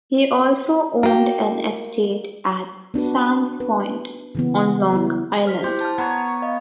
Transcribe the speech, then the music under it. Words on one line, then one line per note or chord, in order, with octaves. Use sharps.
He also owned an estate at Sands Point on Long Island.
A#3 F#4 G4
B3 D4 F#4 B4
B4
C#3 E3 B3
B3 E4
C5 F6 B6
E4 G4 C5 C6
A5 F6
B3 C#5 F#5 A#5
D#5 F5